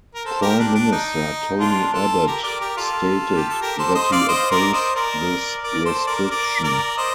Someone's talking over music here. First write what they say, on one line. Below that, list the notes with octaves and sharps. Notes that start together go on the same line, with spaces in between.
Prime Minister Tony Abbott stated that he opposed this restriction.
A#4
A4 C5
G4 A#4
D4
D4
D#4
D4 F4
F4 A4
G4 A#4
A#4 D5
G4 A#4
F4 A4
G4
A4
G4 A#4
A4 C5
C5 D#5
D5 F5
C5 D#5
A#4 D5
C5 D#5
A#4 D5
A#4 D5
A4 C5
A#4 D5
A#4 D5
A#4 D5
C5 D#5